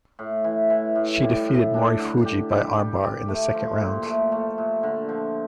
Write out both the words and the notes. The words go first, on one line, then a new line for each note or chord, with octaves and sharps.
She defeated Morifuji by armbar in the second round.
A2
E3
E3
A2
G3
A2
D4
D3
G4
G3
G4
G4
A3
F3
A#2
A3
A3
A#2
D3
F3